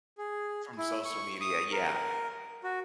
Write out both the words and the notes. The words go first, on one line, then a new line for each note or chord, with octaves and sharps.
from social media, yeah,
G#4
E4
C#6
D#6
A#4
F#4